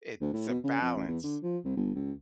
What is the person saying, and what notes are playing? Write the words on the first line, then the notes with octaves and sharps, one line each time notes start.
It's a balance,
D2
A2
B2
C#3
F2
A1
E2
D3
F3
C2
G1
C#2